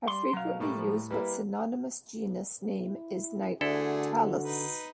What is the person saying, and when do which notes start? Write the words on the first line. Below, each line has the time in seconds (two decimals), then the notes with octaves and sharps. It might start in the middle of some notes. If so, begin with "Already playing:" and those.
A frequently used but synonymous genus name is "Nyctalis".
0.07 G3 C6
0.33 B2 F#3 F5
0.60 A2 G3 A3 A#3
0.75 F3
1.11 G3 A#3 E4 B4
2.78 E4
3.61 D2 D3 A3 D4 E4 F#4 G#4 A4
4.42 D#4 B4